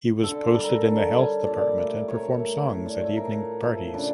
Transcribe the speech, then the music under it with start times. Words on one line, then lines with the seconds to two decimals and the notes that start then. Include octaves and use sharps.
He was posted in the health department and performed songs at evening parties.
0.23 D3 A4
0.54 G3 A4
0.63 A#4
0.73 A4
0.85 D3
1.16 G3 C#5
1.47 A#2 D5
1.78 A3 D5
2.08 A#2 C#5
2.15 A#4
2.23 C#5
2.39 A3
2.70 A2 C#5
2.86 D5
3.01 F3 A3 C#5
3.17 A#4
3.31 A2 A#4
3.63 F3 A3 A4
3.94 C#3 D4